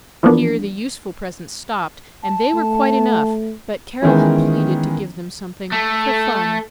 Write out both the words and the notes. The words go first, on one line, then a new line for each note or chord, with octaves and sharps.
Here the useful presents stopped, and they were quite enough; but Carol had pleaded to give them something "for fun."
E3 F3 A#3 B3 D4
A5
A3
D#3 E3 G#3 B3 C#4 E4
A3